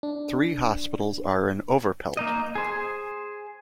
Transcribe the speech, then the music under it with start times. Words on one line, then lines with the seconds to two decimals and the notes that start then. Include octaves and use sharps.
Three hospitals are in Overpelt.
0.03 D4
2.17 A#3 D#4 D#5
2.55 G#4 C5